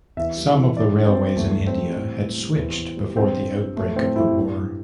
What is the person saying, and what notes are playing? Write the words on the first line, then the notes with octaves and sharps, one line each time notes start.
Some of the railways in India had switched before the outbreak of the war.
E2 E5
G3
E3
G2 D5
G2
C4
G3
E2 A3
E2
C4
G3
A2
A2
G3
E2
E2
G3
G2 C4
G2
G3
A2 A3
A2 C4
G3 E4
G2
G3